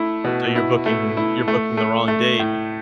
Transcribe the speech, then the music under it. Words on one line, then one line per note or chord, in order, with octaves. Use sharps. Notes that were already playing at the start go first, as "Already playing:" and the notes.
So, you're booking you're booking the wrong date.
Already playing: A3 E4
B2
E4
A3
E4
A3
A3
A3
A2